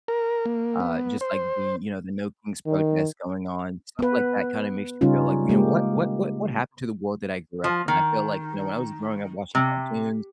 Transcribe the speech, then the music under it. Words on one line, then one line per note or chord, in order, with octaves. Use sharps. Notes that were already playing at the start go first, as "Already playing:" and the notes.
uh, just, like, the you know, the No Kings protest going on, stuff like that kinda makes you feel like, you know, "What what what what happened to the world that I grew up in?" I feel like, you know, when I was growing up watching cartoons,
A#4
A#3
B3
C5
D#3
B3 B4
C#3 G3 C#4 D#4 F4
G#3 A#3 G4
F3
D#3
C3